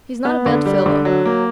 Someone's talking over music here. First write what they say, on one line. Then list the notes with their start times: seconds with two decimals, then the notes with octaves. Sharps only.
He's not a bad fellow.
0.25 B3
0.46 D3
0.66 G3
0.86 D3
1.05 F#3
1.25 A#3